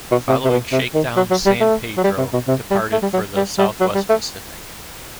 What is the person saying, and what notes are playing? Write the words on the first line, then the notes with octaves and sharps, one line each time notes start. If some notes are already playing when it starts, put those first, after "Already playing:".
Following shakedown, "San Pedro" departed for the Southwest Pacific.
B2
C3
C3
B2
C3
D#3
F#3
F#3
G3
A3
F#3
G3
C3
B2
C3
G3
A3
G3
F#3
G3
G3
F#3
G3
A3